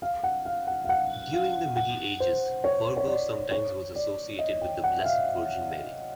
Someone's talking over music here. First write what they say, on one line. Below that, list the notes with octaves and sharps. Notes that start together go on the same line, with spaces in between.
During the Middle Ages, Virgo sometimes was associated with the Blessed Virgin Mary.
F5
F#5
F5
F#5
F5
F#5
F5
F#5
C5
C#5
C#5
D5
C#5
D5
D#5
G5
F#5
E5
F5